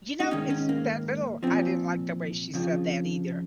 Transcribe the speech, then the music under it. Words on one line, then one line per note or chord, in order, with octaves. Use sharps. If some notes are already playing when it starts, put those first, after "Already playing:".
You know? It's that little I didn't like the way she said that either.
D#4
G#2 D#3 C#4
C#4
A#3
A#2 F3 C4
F2 C#3 F3